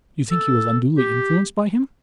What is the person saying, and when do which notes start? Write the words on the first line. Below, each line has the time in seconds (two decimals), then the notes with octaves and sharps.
"You think he was unduly influenced by him?"
0.31 A4
0.97 G4